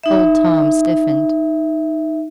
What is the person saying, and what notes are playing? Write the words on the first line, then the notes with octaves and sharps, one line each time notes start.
Old Tom stiffened.
D#4 E5